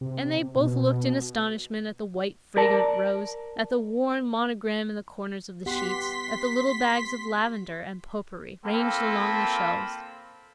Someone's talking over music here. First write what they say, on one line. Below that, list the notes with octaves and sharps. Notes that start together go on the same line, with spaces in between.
And they both looked in astonishment at the white, fragrant rows, at the worn monogram in the corners of the sheets, at the little bags of lavender and pot-pourri ranged along the shelves.
C3
B2
A#4 D5 A5
B3 G4 F#5 C6 B6
A#3 C4 F4 A4 B5